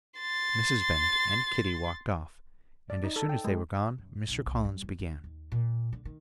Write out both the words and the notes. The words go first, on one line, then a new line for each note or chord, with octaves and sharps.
Mrs. Bennet and Kitty walked off, and as soon as they were gone, Mr. Collins began.
C6 A6
D5
D#4
A4
G5
G#3
F#2
B1
B1
G3
F2
D3
D#2
A#2
D3
D#3